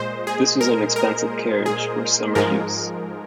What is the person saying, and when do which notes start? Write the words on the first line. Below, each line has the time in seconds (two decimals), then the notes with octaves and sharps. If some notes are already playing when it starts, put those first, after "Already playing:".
This was an expensive carriage for summer use.
Already playing: A#2 G#3 C5 D#5
0.27 G#4
0.61 A#4
0.96 A#4
1.66 G#4
2.35 G#2 F3 G#3 A#4